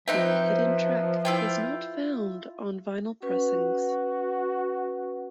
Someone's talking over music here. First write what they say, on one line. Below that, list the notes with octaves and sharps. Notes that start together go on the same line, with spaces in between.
The hidden track is not found on vinyl pressings.
F3 C4 D#4 B4 E5 G5
E4 F4 G5
C#4 F#4 B4